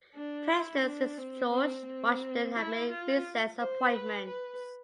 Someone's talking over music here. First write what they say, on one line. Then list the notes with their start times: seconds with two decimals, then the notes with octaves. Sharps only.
Presidents since George Washington have made recess appointments.
0.15 D4
0.48 E4
0.83 D4
1.18 C4
1.52 C4
1.86 C4
2.55 E4
2.89 F4
3.59 C5
3.93 B4
4.27 B4